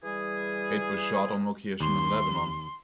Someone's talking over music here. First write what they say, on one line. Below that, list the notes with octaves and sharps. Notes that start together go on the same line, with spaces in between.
It was shot on location in Lebanon.
E3 G3 G#4
D#2 C6